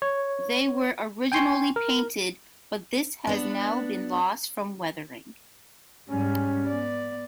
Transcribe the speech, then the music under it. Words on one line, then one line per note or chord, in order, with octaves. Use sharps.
They were originally painted but this has now been lost from weathering.
C#5
G5 G#5 C6 C#6
A#4
B3 D4
G#2 G3 C#4
B3 D5